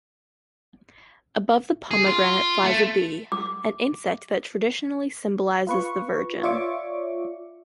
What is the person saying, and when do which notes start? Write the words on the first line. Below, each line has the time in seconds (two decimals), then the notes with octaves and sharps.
Above the pomegranate flies a bee, an insect that traditionally symbolizes the Virgin.
1.91 G#4
2.06 F4
2.64 A3
3.32 D6
5.67 F4 B4 C#6
6.43 F4 C#5 D5 E5 C#6 D6